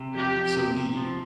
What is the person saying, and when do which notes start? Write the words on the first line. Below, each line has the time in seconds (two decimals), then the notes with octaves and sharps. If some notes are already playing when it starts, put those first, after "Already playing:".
so needy.
Already playing: C3
0.15 F2 G4
0.35 F2
0.55 C3
0.76 C3
0.97 F3